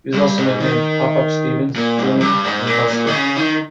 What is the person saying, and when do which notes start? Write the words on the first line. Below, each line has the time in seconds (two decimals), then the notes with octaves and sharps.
He was also nicknamed "Pop-up Stephens", "Junior", and "Buster".
0.14 G2
0.38 G#2
0.60 D#3
1.76 A#2
1.98 G#2
2.16 F2
2.21 G2
2.44 G#2
2.67 A#2
2.90 A#2
3.07 D#3
3.13 C#3
3.37 D#3